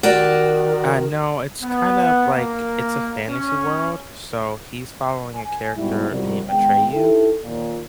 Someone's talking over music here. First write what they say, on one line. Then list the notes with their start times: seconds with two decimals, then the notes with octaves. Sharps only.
Uh, no, it's kind of, like, it's a fantasy world. So, he's following a character named Atreyu,
0.03 D#3 F#4 G4 A#4 D5
1.62 B3
2.35 A#3
3.29 C#4
5.35 G#5
5.76 G#2 B2 G3 E4
6.10 C2 F#2 F3 G3
6.49 G#1 G#3 B3 F5 G5
6.93 D#4 E4 G4 A4
7.43 D#2 A#2